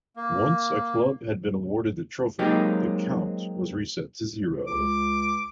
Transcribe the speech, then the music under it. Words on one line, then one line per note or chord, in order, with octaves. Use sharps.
Once a club had been awarded the trophy, the count was reset to zero.
A#3
F#3 G#3 A#3 C4 D#4 G4
C#2 D6